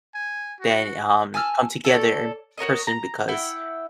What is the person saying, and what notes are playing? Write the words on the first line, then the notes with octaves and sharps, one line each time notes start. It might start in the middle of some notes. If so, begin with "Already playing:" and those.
than, um, come together in person because
G#5
F#4
G#5 A5 E6 F6
A4 C#5 D5
F#4 A#4 C#5 D#5
A#5
E4 F#5 G5